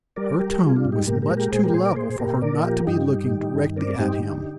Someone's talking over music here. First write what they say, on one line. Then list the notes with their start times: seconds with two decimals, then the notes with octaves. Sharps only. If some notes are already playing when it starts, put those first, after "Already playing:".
Her tone was much too level for her not to be looking directly at him.
0.16 G3 A#4 D5
0.39 G3 G4 A#4
0.61 G3 F4 G#4
0.76 D4 F4
0.85 G#2
0.92 D#4 G4
1.06 A#2 G4 A#4
1.22 G4 A#4
1.30 G#3
1.37 G4 A#4
1.52 A#2 G#4 C5
1.64 G4 A#4
1.74 A#2 G#4 C5
1.85 A#4 D5
1.96 A#2 G#4 C5
2.19 A#2 G4 A#4
2.42 A#2 A#4 D5
2.64 F3 G4 A#4
2.87 G2 D#4 G4
3.10 G3
3.32 D#3
3.54 G2
3.76 C4 A#4 D5
3.99 G2 D#4 G4
4.22 D3